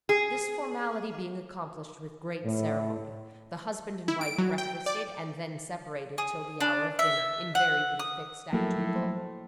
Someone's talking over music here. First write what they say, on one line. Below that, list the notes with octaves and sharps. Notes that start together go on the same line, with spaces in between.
This formality being accomplished with great ceremony, the husband and wife breakfasted, and then separated till the hour of dinner, invariably fixed at two o'clock.
G#4
A2
E4
D7
F#3
G5
D5
G#4
D4
E5
F#5
D#6
A2 F3 F#3 A#3
C5